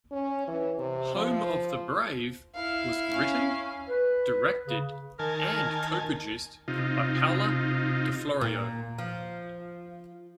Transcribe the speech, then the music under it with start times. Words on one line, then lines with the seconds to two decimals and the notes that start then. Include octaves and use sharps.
"Home of the Brave" was written, directed, and co-produced by Paola di Florio.
0.12 C#4
0.48 E3
0.79 C3
1.15 F3
2.55 E4 F5
3.13 C#4
3.88 B4
4.67 C#3
5.19 D#3 A#4 G#5 A5
6.68 C3 D#4 F4
8.41 A#2
8.98 F3